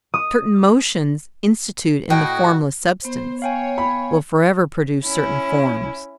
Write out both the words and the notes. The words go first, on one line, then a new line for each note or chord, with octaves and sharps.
Certain motions instituted in the Formless Substance will forever produce certain forms.
D#6
A2 F#4 D#5 G5
B3 C5
C#5 F5 G5 G#5
B5
C#4 E4